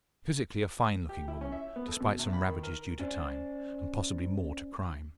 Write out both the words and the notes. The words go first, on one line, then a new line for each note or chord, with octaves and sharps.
Physically a fine-looking woman, despite some ravages due to time, and possibly more to crime.
G4
E4
C#4
E5
B3
A4
B2
E2
B5
D#3
A#4
C#4 C5 D5